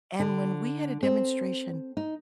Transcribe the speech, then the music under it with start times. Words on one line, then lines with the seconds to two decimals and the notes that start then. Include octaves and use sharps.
and when we had a demonstration,
0.20 D3
1.03 C4
1.97 D#4